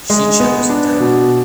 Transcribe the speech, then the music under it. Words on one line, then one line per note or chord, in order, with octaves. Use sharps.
She chose diving.
G#3
B3
D4
B2